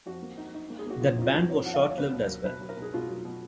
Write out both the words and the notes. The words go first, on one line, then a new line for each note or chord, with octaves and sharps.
That band was short-lived as well.
F2 F#4
A#3
D#4
D#4
A#3
G#4
A#3 F#4
F2 F4
D#4 F4
F#4
F2
D#4 C#5
F3 F#5
F5
D#4 D#5
C#5
A#3 B4
B2
A#4
F#3
B2 B4
F#3
A#4
B2
G#4
B2 F4
F#3
B2